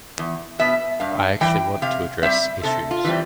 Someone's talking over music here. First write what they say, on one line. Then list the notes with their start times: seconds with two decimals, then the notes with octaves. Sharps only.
I actually want to address issues.
0.19 E2
0.59 B2 B3 E5
1.00 G2 F5
1.41 E3 G3 G5
1.82 C3 F5
2.23 G3 C4 E5
2.63 C3 A4
2.91 F4
3.05 E3 G3 C4